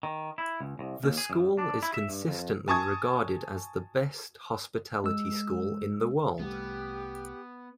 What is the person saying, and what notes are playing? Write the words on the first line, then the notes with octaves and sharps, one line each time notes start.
The school is consistently regarded as the best hospitality school in the world.
D#3
E4
C#2
C2
D#2
G#4
F#2
D4
E4
E5
G2
F2
G#5 A5 C#6 D#6 G#6
G#3 E6
C2 G3 A3 B3 G4